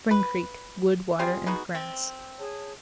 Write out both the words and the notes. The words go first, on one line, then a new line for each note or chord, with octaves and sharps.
Spring Creek.--Wood, water, and grass.
B4
G3 C4 F4 G#4
G#3 B3 D#4 F#4
C4
G#4 C#5 A5